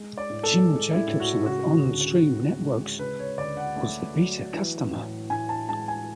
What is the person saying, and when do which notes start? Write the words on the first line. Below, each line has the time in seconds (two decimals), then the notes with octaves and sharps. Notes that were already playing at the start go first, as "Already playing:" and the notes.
Jim Jacobson of OnStream Networks was the Beta Customer.
Already playing: G#3
0.18 D5
0.30 A2
0.43 A4
0.69 G#3
0.94 E4
1.07 A2
1.20 F#4
1.45 C#3 F#4
1.84 D2
2.23 D2
2.61 G#3
2.99 C#3 B4
3.19 C#5
3.38 D2 D5
3.57 F#5
3.76 A3
4.15 F#3
4.53 E3
4.92 A2
5.30 A2 G#5
5.49 A5
5.68 G#3 A5
5.88 G#5